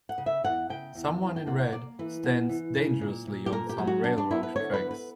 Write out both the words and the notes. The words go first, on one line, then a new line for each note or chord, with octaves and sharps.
Someone in red stands dangerously on some railroad tracks.
F#5
C#3
E5
E2 F#5
C#3 G5
E2
E2
G5
A#3 F#5
F#5
A#3 D5
E3 B4
B3
E3
C#3
A#2
A#2
G4
A#2 A#4
G4
F#3
F#4
B3 D4
D4
B3 E4
B4
D3 C#5
B4
B3
B4